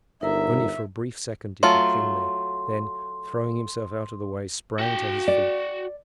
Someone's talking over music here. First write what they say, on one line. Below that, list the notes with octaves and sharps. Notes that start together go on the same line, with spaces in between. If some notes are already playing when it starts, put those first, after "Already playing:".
Only for a brief second did he cling there, then throwing himself out of the way sprang to his feet.
G1 D#4 A#4 E5 A#5
F#3 A3 F4 C6
F#4 G5
D5